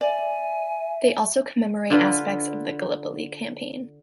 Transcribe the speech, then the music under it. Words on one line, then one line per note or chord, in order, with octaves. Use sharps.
They also commemorate aspects of the Gallipoli Campaign.
D5 E5 G#5
D3 F4 B4